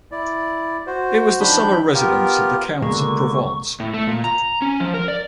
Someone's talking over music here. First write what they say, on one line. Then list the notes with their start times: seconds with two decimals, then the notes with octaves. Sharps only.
It was the summer residence of the counts of Provence.
0.12 E4 D5
0.87 F#4 C5
1.40 D#3 F3 D4 B5 G6
1.94 B3 F4 G4 A#4
2.82 C#2 B2 D3 G#3 A#3 C#6
3.80 A2
3.94 A3
4.07 A#2
4.24 A#5
4.62 C#4
4.80 F3
4.94 A#4
5.08 D5